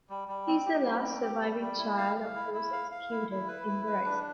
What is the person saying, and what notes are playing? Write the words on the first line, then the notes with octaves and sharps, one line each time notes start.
He is the last surviving child of those executed in the Rising.
G3
G3
C4
G4
G3
C4
G4
G3
G3
E4
F5
F5
E4
E4
F5
F5
E4
E4
B4
E4
B4
D4